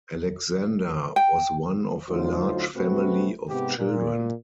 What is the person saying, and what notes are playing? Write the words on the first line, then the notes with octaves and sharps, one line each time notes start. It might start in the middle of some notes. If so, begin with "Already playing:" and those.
Alexander was one of a large family of children.
G5
D2 F#3 D#4 F4 C5
C3 A3 C4 F#4 B4
G#2 C3 B3 G4
A#2